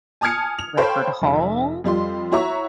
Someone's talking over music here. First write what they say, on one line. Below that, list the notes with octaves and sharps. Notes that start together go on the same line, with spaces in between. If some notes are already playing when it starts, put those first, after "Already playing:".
Record haul?
G#5 A5 D#6 F6 G#6 C#7
F7
A4 C5 C#5 F5 G5 B5
F1 E5
F2 G3 F4 C6
E4 F#4 C#5 E5 A#5 C#6